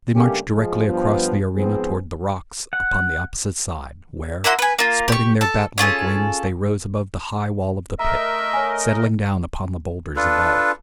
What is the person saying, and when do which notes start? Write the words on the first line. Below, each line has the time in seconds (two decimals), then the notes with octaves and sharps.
They marched directly across the arena toward the rocks upon the opposite side, where, spreading their bat-like wings, they rose above the high wall of the pit, settling down upon the bowlders above.
0.15 G2 C#3 A3 A#3 C#4 G4
0.53 F3 G#3
0.87 G2 F3 B3
1.56 G#2 F3 B3 C4 G#4
2.73 F#5
4.44 A#3 E4 F#4 C6
4.59 B4 G#5
4.79 A#3 F4
5.08 G4 C#6
5.41 A4 A5
5.78 C#4 F4 G#4 A4
7.99 A3 A#4 D#5 E5 A#5
8.53 C#5 G#5
10.16 D4 F4 A4 B4